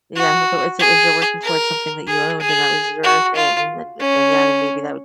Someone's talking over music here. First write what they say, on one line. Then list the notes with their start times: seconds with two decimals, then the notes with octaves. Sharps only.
Yeah. If it was if you're working towards something that you owned and that was your thing, then then then, yeah, then maybe that would
0.16 F#4
0.79 G#4
1.44 A#4
2.08 G#4
2.40 G#4
3.03 F#4
3.36 F4
4.00 C#4